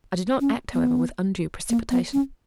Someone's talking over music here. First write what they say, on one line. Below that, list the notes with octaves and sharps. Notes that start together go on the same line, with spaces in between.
I did not act, however, with undue precipitation.
C#4
B3
A#3
B3
C#4